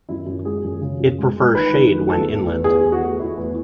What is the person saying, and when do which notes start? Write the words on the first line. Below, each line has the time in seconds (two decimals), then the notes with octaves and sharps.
It prefers shade when inland.
0.09 F#2 E4
0.27 F#2
0.45 G#3 G#4
0.64 F#2
0.81 C#3
1.00 F#2
1.18 G#3
1.37 G#3
1.55 D#3 B4
1.73 D#3
1.91 A3
2.10 E2 A4
2.28 A3
2.46 E2
2.64 E2 G#4
2.83 E2
2.92 F#4
3.01 A3
3.19 A3 E4
3.37 E2